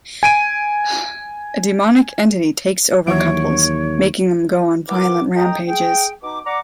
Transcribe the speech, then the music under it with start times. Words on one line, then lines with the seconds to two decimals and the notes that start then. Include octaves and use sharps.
A demonic entity takes over couples, making them go on violent rampages.
0.23 G#5 D7 D#7
3.07 D#2 E3 F#3 C#5 D7
4.89 E3 A#4 F#5 D6
5.36 F2 D#5 G5 A#5 D#6
5.68 G#4 G5
6.23 B2 D#4 D6
6.46 D5 F#5 A#5 D6